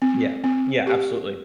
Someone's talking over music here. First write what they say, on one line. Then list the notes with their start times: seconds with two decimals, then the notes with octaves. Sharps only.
Yeah, yeah, absolutely.
0.02 C4
0.44 C4
0.87 G4